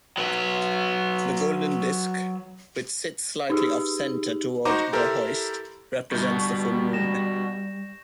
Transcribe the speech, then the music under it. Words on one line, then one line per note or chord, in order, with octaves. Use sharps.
The golden disk, which sits slightly off-centre toward the hoist, represents the full moon.
F#3 B4
D#4 G4 G#4
D#4 F#4 C5 A#5 C6 D6
E4 G4 A4 A#4 C5
G1 G2 B2 G3 C#6 G6 G7
A#6 E7